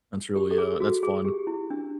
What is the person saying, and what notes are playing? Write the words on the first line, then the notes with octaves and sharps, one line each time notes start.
That's really, uh, that's fun,
G4
A4
G#4
F#4
G#4
G4
E4
D4